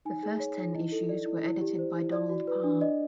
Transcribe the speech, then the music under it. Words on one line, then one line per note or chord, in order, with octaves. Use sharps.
The first ten issues were edited by Donald Parr.
D#4 G#5
G#4
C#5
D#4
E4 D#5
A4
D5
E4
E4
G4
C5
E4
D5
F#4
B4
D4
D5 D#5